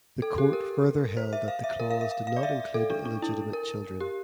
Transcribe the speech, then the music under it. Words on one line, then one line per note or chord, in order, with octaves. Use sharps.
The Court further held that the clause did not include illegitimate children.
A4
G4
A#4
C5
E5
F5
E5
A#4
F5
E5
F5
F5
D5
E5
A4
D4
D4
E4
A#4
G4